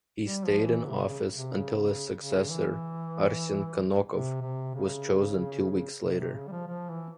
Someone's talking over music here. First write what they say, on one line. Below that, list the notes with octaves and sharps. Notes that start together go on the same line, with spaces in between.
He stayed in office until his successor, Arsen Kanokov was chosen two weeks later.
G3
F3
E3
C3
C#3
C3
C#3
C#3
E3
C3
C3
C#3
C3
C3
C#3
G3
F3
F3
E3